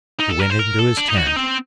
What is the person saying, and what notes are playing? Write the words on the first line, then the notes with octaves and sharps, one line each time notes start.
He went into his tent.
D#4
A4
A#4
C5
A#4
A4
D4
D#4
F#4
D#4
C4